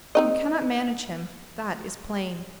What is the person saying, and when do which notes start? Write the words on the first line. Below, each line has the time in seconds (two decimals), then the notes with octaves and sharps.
"You cannot manage him; that is plain."
0.15 C4 D#4 D#5